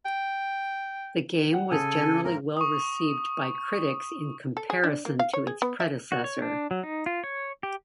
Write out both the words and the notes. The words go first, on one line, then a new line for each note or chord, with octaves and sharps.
The game was generally well received by critics in comparison to its predecessor.
G5
F#5 G5
C#3 A4 G#5
G#1 A#4
C#6 D#6
A4
G#4
D4
A#3
F5
C#5
G#4
B3
E5
F#4
C#5
D4
F#3
D#4
F4
C#5
G4